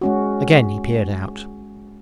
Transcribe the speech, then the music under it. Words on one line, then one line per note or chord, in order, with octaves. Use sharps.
Again he peered out.
G#3 C#4 F#4